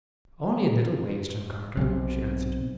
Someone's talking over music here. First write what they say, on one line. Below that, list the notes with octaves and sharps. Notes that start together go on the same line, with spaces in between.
"Only in little ways, John Carter," she answered.
B1 C3